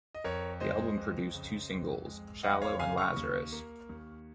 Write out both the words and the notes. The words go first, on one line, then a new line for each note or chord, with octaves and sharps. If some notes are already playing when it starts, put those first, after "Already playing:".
The album produced two singles: "Shallow" and "Lazarus".
D#5
F2 A#4 C#5
G#3 C5 D#5
F2
C#3
F2
G#3
F2 D#5 F#5
C#5 F5
C#3 F5 G#5
C#6 F6
D#2
A#3
D#2